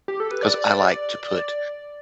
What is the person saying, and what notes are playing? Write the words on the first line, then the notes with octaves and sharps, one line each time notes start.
'cause I like to put,
G4
A4
B4
D5